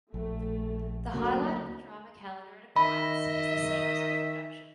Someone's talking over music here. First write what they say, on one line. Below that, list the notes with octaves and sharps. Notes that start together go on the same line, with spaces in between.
The highlight of the Drama calendar at Aquinas is the senior school production.
A#1 A3
D2 D3 F#3 A#3
D#3 D#5 E5 B5